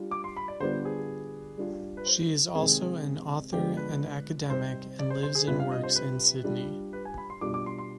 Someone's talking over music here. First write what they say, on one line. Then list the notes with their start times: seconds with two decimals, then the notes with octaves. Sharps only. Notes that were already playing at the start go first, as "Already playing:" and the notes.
She is also an author and academic and lives and works in Sydney.
Already playing: G3 D4 F4
0.11 D6
0.24 C6
0.37 B5
0.48 D5
0.60 D3 G3 B3 D4 F4 C5
0.85 G#4
1.58 G3 D4 F4
1.97 B4
2.06 C5
2.55 C3 D#3 G#3 C4 G#4
3.53 D3 F3 G#3 B3 D4 G4
3.77 B4
4.50 C3 G3 C4 D#4 C5
4.99 D5
5.10 C5
5.23 C5
5.35 G#4
5.47 C3 G3 D4 F4 B4
5.60 F5
5.72 D#5
5.83 C5
5.96 B4
6.44 G3 D4 F4
6.93 B4
7.05 G#5
7.18 B5
7.30 C6
7.41 B2 G3 D4 F4 D6
7.54 D6
7.66 C6
7.78 C6